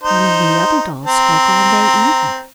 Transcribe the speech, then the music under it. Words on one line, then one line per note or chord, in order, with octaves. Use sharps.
None of the other dolls spoke all day, either.
D#4 C5
C4 A#5